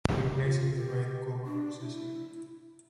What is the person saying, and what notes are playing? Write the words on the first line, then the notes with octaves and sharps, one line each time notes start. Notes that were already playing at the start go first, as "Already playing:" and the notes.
He plays in the Right Cover position.
G4
F4
A4
G4
D4
E4